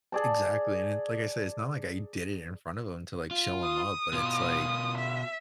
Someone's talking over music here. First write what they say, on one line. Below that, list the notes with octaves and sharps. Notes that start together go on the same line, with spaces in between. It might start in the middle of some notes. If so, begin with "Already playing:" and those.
Exactly. And it like I said, it's not like I did it in front of him to like show him up, but it's like,
G#4 D5 A5
F4
D#6
B2 F4
E5